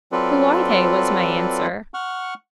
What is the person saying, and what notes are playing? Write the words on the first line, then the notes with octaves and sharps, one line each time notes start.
"Who are they?" was my answer.
F#3 C4 F4 A4 B4 D5
F#5 C#6 F6